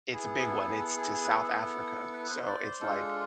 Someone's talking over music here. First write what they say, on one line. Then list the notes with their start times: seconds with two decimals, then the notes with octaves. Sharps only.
it's a big one, it's to South Africa. So it's like
0.13 B3 E4 G#4
0.39 G#4
0.46 A4
0.68 G#4
0.80 A4
0.96 G#4
1.13 G#4
1.25 B4
1.30 A4
2.13 B4
2.30 C5
2.47 D5
2.64 C5
2.80 G#3 D4 F4 A4